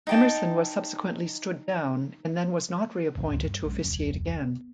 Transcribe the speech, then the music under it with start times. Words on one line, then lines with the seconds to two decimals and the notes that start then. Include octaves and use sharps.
Emerson was subsequently stood down, and then was not reappointed to officiate again.
0.07 D#4 G5 A5
3.15 A1 D#2 C#3 C#4
3.29 C#2 G#2 D#3
3.43 G2
3.63 B1 F#3 G#3 C#4
3.84 F1 D2 F#3
4.42 B3